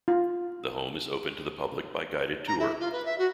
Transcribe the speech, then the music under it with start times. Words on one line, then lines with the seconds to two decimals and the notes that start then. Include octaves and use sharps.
The home is open to the public by guided tour.
0.08 F4
2.47 A#5
2.59 E4
2.80 F4
2.92 B4
3.05 E5
3.18 F#4